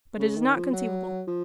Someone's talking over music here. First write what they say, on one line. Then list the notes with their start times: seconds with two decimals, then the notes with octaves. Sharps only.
But it is not conceivable.
0.19 C#3
0.37 D#3
0.56 F3
0.73 F#3
1.28 F3